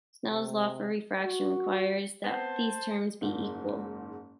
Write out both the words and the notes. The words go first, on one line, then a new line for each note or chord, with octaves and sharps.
Snell's law for refraction requires that these terms be equal.
C3
F#4
B3 C4 C5 A5
F#1 G#2